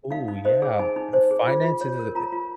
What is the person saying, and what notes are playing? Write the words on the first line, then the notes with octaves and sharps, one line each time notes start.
Ooh, yeah. Uh, finance is is a
D#4 F5
D#4
C5 D#5
G#4
D#4 G#5
D#4
C5
G#4
F4
F4
C#5
A#4
F4 A#5
F4